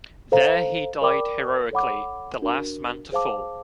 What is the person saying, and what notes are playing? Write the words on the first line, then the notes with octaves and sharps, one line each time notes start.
There he died heroically, the last man to fall.
A4 C5 F5 A#5
A#4 D5 G5 B5 D6
A4 C#5 F#5 B5 D6
D4 F#4 A#4
G#4 C5 F5 A5 D6